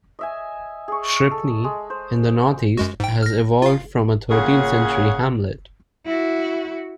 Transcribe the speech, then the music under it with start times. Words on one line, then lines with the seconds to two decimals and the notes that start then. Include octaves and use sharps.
Shripney, in the northeast, has evolved from a thirteenth-century hamlet.
0.19 D#5 E5 G#5
0.88 G#4 C#6
1.31 A4
1.64 G#3
1.90 C5
2.77 F#2 G#3 F#4
3.00 G#2 G5
3.23 F6 A#6
3.62 F4 F5
4.30 A#2 C#3 G#4 C#5 F#5
6.06 E4 F#4